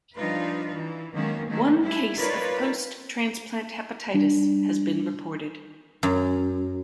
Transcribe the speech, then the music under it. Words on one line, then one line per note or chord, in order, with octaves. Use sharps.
One case of post transplant hepatitis has been reported.
F3 G3 D4 D#4 F4 B4
E3
D#3 F#3 G#3 A#3 B3 C#4
D#3 F#3 A3 C#4
G3 E4
D#4 F4 A#4 B4 C#5 D5
G3 D4
F#2